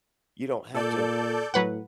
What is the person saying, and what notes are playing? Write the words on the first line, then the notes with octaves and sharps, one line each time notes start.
You don't have to
A#2 A4 D5 G6
A2 F#3 B4 F#5